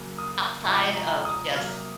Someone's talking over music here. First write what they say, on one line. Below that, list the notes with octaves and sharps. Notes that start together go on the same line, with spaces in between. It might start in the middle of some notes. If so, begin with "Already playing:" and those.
outside of just
Already playing: C#3 F#3 A#3
D#6
C3 F3 G#3 C#6
A#5
D#6
C3 F#3 A#3 F6